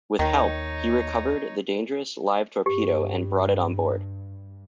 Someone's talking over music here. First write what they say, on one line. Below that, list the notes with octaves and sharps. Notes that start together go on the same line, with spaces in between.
With help, he recovered the dangerous live torpedo and brought it on board.
D#2 D#3 D#4 C#5
G2 G4